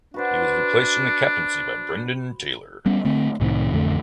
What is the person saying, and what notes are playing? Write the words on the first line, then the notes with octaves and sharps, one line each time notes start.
He was replaced in the captaincy by Brendan Taylor.
D4 F#4 B4 C5
G3 B3 C#4
D3 A3 C4
C2 A2 C3 D#3
A1 F2 D3 A3